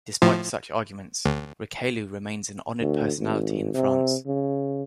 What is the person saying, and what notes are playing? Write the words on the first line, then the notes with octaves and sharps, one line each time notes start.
Despite such arguments, Richelieu remains an honoured personality in France.
A2 F3
D2
D2
G#1
C3
C#3